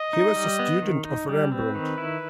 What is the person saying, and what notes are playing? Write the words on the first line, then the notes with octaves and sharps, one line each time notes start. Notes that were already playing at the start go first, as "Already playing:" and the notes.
He was a student of Rembrandt.
Already playing: D#5
D#4
G3
B3
D#3
D#4
G3
C4 B4
D#3
E4